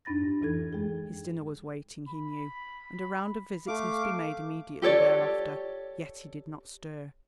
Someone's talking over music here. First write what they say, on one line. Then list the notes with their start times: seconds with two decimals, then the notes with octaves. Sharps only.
His dinner was waiting, he knew, and a round of visits must be made immediately thereafter, yet he did not stir.
0.05 F#2 D4 D#4 B5 A6 A#6
0.21 G#2
0.41 F2 E3 D#4 A4 G#6
0.73 G#3 G#4
2.08 B5
3.68 A3 F5 D6
4.82 G4 A4 C#5 D5